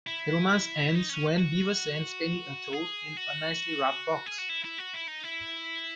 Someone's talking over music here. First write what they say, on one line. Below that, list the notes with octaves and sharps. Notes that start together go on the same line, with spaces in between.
The romance ends when Beaver sends Penny a toad in a nicely wrapped box.
E4
D#4
C#4
F#4
G#4
F#4
G#4
F#4
E4
E4
F#4
E4
D#4
E4